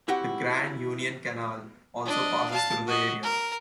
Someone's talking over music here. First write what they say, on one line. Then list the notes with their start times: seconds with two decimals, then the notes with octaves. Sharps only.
The Grand Union Canal also passes through the area.
0.08 C4 E4 F#4 G4 F#5
2.06 D4 D#5
2.50 F5 A5
2.87 F#4 D#5
3.23 A#4